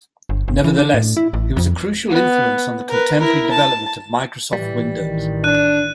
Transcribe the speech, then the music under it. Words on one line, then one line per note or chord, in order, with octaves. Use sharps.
Nevertheless, it was a crucial influence on the contemporary development of Microsoft Windows.
G1
G1
E3
D4
A2
E4
A1
F2
B3
A#4 B4
E4 A#4
A5
A2 E3 G3
A1 D#3 E3
D4 F#6 D#7